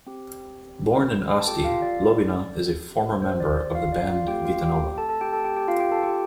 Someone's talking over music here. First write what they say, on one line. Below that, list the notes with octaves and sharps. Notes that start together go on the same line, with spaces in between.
Born in Asti, Lobina is a former member of the band Vitanova.
C4 G4
A5
C4 F4 G4 A4 G5
F4 F5
D5
C4 G4
C5
C5
D5
F4 F5
D5
F4 F5
A3 C4 G4 A4 G5
F4 F5
G4 G5
A4 A5
A4 A5
G4 G5
A4 A5
G4 G5
G4 G5
C4 F4 A4 F5
G4 G5
A4 A5
G4 G5